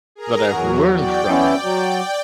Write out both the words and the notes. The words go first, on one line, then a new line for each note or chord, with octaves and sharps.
that I've learned from it,
G#4 A#4 A#5
E2 F#3 F#4
D5 G5
B3 C#4 E4
F#3